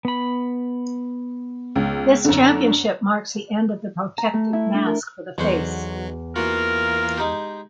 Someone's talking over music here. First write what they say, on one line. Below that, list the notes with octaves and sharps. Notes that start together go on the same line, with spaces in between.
This championship marks the end of the protective mask for the face.
B3 B5
C#2
F#2 D3
A#5
A3
E4
D4
A#4
B1 E2 F#3 F#4 C5
E3 A#3 F4 F#4 A#4
G#3 D#4 G4